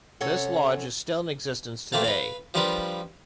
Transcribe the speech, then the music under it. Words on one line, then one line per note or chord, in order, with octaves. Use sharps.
This lodge is still in existence today.
C3 C#4 A4 C#5 F#5
A3 A#3 C4 F5 A5
B4 F5
F3 G3 D4 F4 A#4 B4